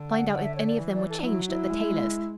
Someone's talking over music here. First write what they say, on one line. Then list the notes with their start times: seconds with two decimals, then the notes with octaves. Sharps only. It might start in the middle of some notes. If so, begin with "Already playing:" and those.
Find out if any of them were changed at the tailor's.
Already playing: D3
0.10 F#5
0.33 F#5
0.44 E5
0.56 C#5
0.67 D5
0.79 E3
0.94 D5
1.09 A4
1.20 D4
1.24 F#3 E4
1.47 E4
1.70 G#3